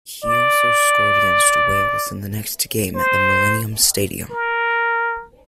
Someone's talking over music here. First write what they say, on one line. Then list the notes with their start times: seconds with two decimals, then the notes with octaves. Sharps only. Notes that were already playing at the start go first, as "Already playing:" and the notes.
He also scored against Wales in the next game at the Millennium Stadium.
0.24 D5
2.95 C5
4.31 A#4